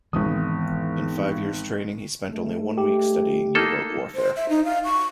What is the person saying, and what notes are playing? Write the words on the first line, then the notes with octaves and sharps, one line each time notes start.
In five years' training he spent only one week studying U-boat warfare.
G#1 E3 G#3 B3 D#6
G2 G#3 A3
G4
A#3 D#4 A4
C5
E5
D#4
F5
C#6